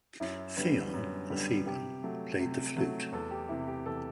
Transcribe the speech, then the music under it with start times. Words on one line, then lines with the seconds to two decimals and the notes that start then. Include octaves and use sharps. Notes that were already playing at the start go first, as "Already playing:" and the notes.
Theon the Theban played the flute.
0.20 F#2 E4
0.57 D3 G3 B3
0.93 F#2
1.30 D3 G3 B3
1.66 C3 G4
2.03 F#3 A3
2.39 C3
2.76 F#3 A3
3.12 E2 A4
3.31 G4
3.49 C3 E3 E4
3.68 G4
3.86 E2 A4